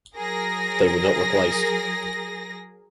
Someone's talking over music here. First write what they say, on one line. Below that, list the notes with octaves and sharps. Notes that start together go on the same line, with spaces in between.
They were not replaced.
F#3 G#4 A#4 A#6